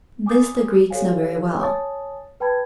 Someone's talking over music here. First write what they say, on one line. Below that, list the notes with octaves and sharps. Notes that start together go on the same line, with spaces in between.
This the Greeks knew very well.
G#5 D6 D#6 G6 A6
G4 A4 C5 C#5 F5 G#5
C#5 G#5 A5 D#6 A6
B4 G5 A5 B5 G#6